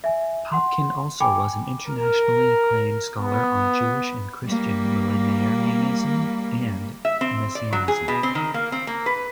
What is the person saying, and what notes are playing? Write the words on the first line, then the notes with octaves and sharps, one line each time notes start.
Popkin also was an internationally acclaimed scholar on Jewish and Christian millenarianism and messianism.
E5 G#5
F#5 C6
G5 G#5 B5 D6
A#4
B3
G3 A#3
E5
C4
D5
F#3
G#4
B2
C4
D#3
A#3
C4
A#3
B4